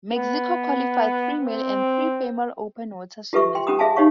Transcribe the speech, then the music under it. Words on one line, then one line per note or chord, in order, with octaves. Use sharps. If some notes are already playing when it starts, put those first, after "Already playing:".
Mexico qualified three male and three female open water swimmers.
B3
C4
F4 G4 A4 B4 E5 C#6
G5 C6
C#4 G4 G5 B5 D#6
G#4 E5 F5 G#5 A5
D#4 G4 C#5 F5 C#6